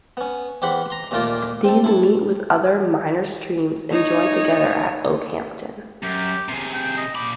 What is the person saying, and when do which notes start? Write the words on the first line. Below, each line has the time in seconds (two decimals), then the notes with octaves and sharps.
These meet with other minor streams and join together at Okehampton.
0.17 B3 C#4
0.62 E2 G4 C5 F#5 B5
0.90 A#5 C6
1.11 D#2 A#2 A3 A#3 F4 D5
1.64 C4 A4
1.84 E4 A4
3.92 D#4 C#5
6.03 F#2 G4
6.49 C3 G#4
6.73 G5
6.97 D#5
7.15 A#2 B5 D6